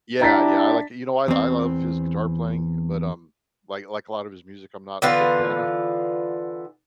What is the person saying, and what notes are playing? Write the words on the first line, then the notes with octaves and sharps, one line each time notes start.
Yeah, yeah, I like it you know what? I lo love his guitar playing, but, um, like like a lot of his music, I'm not a big fan of,
D4 E4 G4 A#5 A6 B6
E2 C4
D3 E3 B3 F4